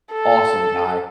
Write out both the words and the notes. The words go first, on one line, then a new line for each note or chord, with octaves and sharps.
awesome guy,
A4